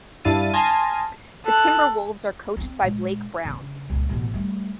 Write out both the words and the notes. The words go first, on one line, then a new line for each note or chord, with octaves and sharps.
The Timberwolves are coached by Blake Brown.
G2 D4 E4 F5 A6 D#7
G#5 A5 C6 D#6 F6 A#6
A4 F#6
C4 D#4
A#2 G#3
C#3 D4
C#2 A#2
A1 B2
G3 A3